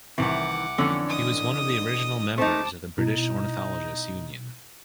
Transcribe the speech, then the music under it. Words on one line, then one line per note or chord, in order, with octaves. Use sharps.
He was one of the original members of the British Ornithologists' Union.
C2 C3 D#3 E3 F#5 D6
F2 D3 E3 C#4 E6
D#5 D#6
A3 C4 D#4 A5 D6
B2 D#4 E4